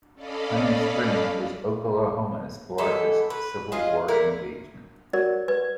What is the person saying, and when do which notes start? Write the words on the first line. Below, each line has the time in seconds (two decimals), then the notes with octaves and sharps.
Honey Springs was Oklahoma's largest Civil War engagement.
0.14 C#4 A4 D5 D#5 F5 B5
2.78 E3 G#3 B3 A4
3.30 B4
3.72 F4 G#4 D#5 F5
4.08 D3 E4 A#4
5.13 F#4 A#4 C#5 D5 F#5
5.48 B4 G#6